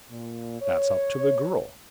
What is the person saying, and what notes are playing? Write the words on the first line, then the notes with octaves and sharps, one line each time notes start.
That's up to the girl.
A#2
C#5